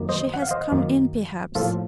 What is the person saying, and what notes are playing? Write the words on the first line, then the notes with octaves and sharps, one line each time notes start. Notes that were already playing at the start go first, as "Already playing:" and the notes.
She has come in, perhaps.
Already playing: F#2 D#3 A#3
C5 D#5
F#5
F5
C5 D#5
F#2 D#3 A#3
A2 F3 A#3 F4 A4